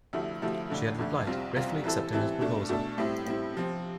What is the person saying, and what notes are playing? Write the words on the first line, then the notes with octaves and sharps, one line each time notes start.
She had replied, gratefully accepting his proposal.
D2 C3 F3 A3 E4
D2 C3 F3 A3 E4
F2 D3 A3
F2 D3 A3
C2 C3 G3 C4 F4
C2 C3 G3 C4 F4
E3 G3 C4 E4 A4
E3 G3 C4 E4 A4
B2 A3 D4 A4
B2 A3 D4 A4
A2 G3 C4 E4
A2 G3 C4 E4
C3 F3 C4